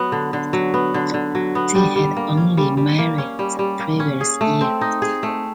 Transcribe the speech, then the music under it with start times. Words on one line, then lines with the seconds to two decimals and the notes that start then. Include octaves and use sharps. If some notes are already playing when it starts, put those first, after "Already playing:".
They had only married the previous year.
Already playing: F#3 B3
0.12 D3
0.33 D3
0.53 F#3
0.74 B3
0.94 D3
1.14 D3
1.35 F#3
1.55 B3
1.75 G3
1.96 G3
2.17 A#3
2.37 C#4
2.57 G3
2.77 G3
2.99 A#3
3.18 C#4
3.39 G3
3.59 G3
3.79 A#3
4.00 C#4
4.21 G#4
4.41 A3
4.61 C4
4.81 D#4
5.02 G#4
5.23 A3